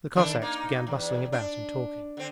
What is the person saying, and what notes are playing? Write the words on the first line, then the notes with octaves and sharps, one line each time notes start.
The Cossacks began bustling about and talking.
D#3 D4 A4
A#3 D#4
E2
D4
D3 C4